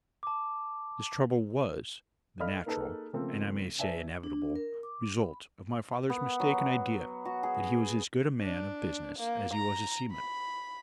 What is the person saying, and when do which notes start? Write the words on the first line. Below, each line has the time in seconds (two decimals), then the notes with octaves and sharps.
This trouble was the natural--and I may say inevitable--result of my father's mistaken idea that he was as good a man of business as he was a seaman.
0.23 A5 D6
2.40 A4 D5 D#5 F5 B5 F6
2.66 A#3 D#4 G#4 A4 B4 A5
3.13 C#3 F3 A3 A#3 C4 A4
3.79 B4 D5 E5 G#5 A5
4.23 D4
4.56 A#4
4.83 D6
5.20 B5
6.10 B3
6.40 F#3
7.25 F#4
7.43 G#4
8.42 D4
9.19 A#3
9.53 A#5
10.12 B5